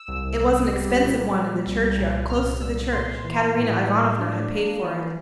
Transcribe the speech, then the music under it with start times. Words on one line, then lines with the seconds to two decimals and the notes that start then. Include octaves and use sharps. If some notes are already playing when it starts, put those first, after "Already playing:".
It was an expensive one in the churchyard close to the church, Katerina Ivanovna had paid for it.
Already playing: E6
0.08 C2
0.40 C2
0.72 G3
1.03 A#2
1.34 G3
1.66 C2
1.98 A#2
2.29 C2 F6
2.61 A#2 E6
2.93 A#2 C6
3.24 E3
3.56 A2
3.88 A2
4.19 D4
4.51 A#3
4.82 E3